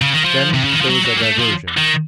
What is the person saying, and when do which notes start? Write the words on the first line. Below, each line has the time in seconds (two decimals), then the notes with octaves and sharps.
Then there was a diversion.
0.02 C#3
0.13 D#3
0.24 F3
0.54 C3
0.64 C#3
0.72 D#3
0.81 F3
0.89 F#3
1.06 F#3
1.17 A#3
1.23 A3
1.39 F3
1.77 D#3